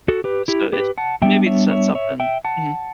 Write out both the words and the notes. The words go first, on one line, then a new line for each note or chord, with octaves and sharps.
So it maybe it's so something Mhm.
F#4 A4
G4 B4
E4 G4
G4 B4
F#5 A5
A2 G3 B3 D4 E5 G5
C#5 E5
C#5 E5
C#5 E5
E5 G5
F#5 A5